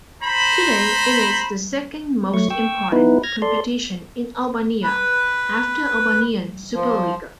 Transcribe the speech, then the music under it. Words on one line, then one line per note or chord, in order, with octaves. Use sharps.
Today it is the second most important competition in Albania after Albanian Superliga.
C5 A#5 B5
F#3 A3 C#6
G5 C#6 E6
B3 D#4 E4 B4
F6 G#6 A#6
A4 D5 C6
B4
F3